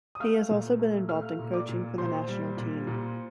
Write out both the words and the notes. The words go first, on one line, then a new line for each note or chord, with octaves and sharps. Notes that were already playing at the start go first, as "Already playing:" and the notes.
He has also been involved in coaching for the national team.
D#6
A3 F5 F6
A#2
A3
A3 F5 F6
A#2
D5 D6
A#2
A#2 C5 C6
G3
A#2
A#2